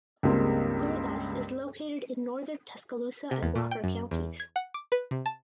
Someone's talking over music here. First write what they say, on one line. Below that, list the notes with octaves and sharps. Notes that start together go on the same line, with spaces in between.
Gorgas is located in northern Tuscaloosa and Walker counties.
C#2 G2 G#3 A#3 C4
C3
E2
A#2
G5
F#2
E2
G#6
F#5
D6
B4
C3
A5